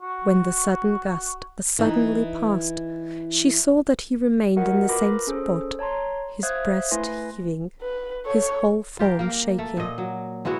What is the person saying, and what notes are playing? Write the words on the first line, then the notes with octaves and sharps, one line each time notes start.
When the sudden gust as suddenly passed, she saw that he remained in the same spot, his breast heaving, his whole form shaking.
F#4
E3 D#4
F#4 A#4 D#5 F#5
F4 A#4 B4 B5 D6 A#6
C#4 G#4 A4 C5
C#5 A5 A#5 C6
C5 E5 F5 D#6 F#6 G#6
A3 E4 B4 G#5 C6 A#6
B4
A4 C#5
F4 G4 A#4
A#3 A#4
A3
A#2 D#5
F#3
G#3 B3 E4 F#4